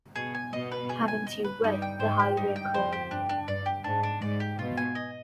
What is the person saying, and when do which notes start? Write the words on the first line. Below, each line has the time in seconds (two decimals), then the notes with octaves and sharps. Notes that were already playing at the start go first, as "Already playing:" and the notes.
Haven't you read the Highway Code?
0.16 B2 G#4
0.35 G#5
0.53 B2 D#5
0.72 B4
0.89 G#4
1.08 G#5
1.27 D#5
1.45 B4
1.63 G2 G3 D#4
1.82 G5
2.00 G#2 G#3 C5
2.19 G4
2.37 G2 G3 D#4
2.56 G5
2.74 F2 F3 C5
2.93 G4
3.11 G2 D4
3.29 D4
3.48 G2 D5
3.66 G4
3.84 G#2 D4
4.03 D4
4.21 G#2 D5
4.40 G4
4.59 B2 F4
4.78 G#5
4.95 D#5